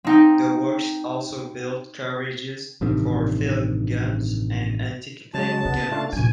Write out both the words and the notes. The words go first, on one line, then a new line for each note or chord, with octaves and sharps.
The works also built carriages for field guns and anti-tank guns.
C4 D#4 G5
A1 G2 C3 D#3
C#3 F#3 G#3 A5
C#3 B3
A3 D4 F4
A#2 D4 G#5